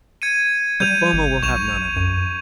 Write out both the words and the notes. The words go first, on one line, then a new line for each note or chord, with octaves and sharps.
But Foma will have none of it.
G#6 C#7 D#7
G3 G6 D#7 F7
G#1
B1 C#6 E7 F7
F#2